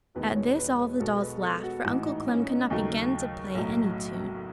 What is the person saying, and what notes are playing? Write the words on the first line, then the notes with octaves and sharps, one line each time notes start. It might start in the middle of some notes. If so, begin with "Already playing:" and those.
At this all the dolls laughed, for Uncle Clem could not begin to play any tune.
E1 E2 D#3 G#3 B3 B4
C#5
B4
B4
B1 B2 G#3 B3 A4
B4
A4
F#4
A1 G#2 E3 F#4
D#4
C#4
D#4
D#2 C#3 F#3 A3 D#4
B1 A2 F#3